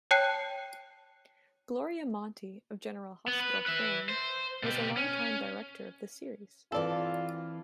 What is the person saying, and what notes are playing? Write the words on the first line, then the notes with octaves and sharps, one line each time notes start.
Gloria Monty, of "General Hospital" fame, was a longtime director of the series.
C#5 G5 A5 F#6 C7 C#7
B3
B4
B4 E5
C5
B2 G4
C#4
E3 C4 F4 A4 D5